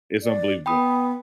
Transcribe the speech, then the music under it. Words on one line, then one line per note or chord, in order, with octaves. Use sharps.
it's unbelievable,
D5
B3 G5 B5 D#6